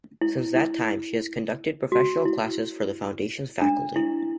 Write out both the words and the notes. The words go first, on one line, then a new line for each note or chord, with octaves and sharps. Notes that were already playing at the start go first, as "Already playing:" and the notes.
Since that time, she has conducted professional classes for the Foundation's faculty.
E4
E4
F#4
E4
D4
E4